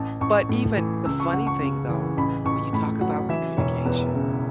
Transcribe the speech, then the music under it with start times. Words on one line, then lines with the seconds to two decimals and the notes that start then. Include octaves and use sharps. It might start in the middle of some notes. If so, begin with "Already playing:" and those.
But even the funny thing, though, when you talk about communication,
Already playing: A1 A5
0.21 A1 C#6
0.49 A2
0.77 E3
1.05 C#2 E6
1.20 C#6
1.33 C#2 F#5
1.47 C#6
1.62 C#3
1.89 E3
2.17 A1 B5
2.45 A1 C#6
2.73 A2 B5
3.01 F#3 F#5
3.29 E3 E5
3.57 E1 C#5
3.85 E2 B4
4.14 C#3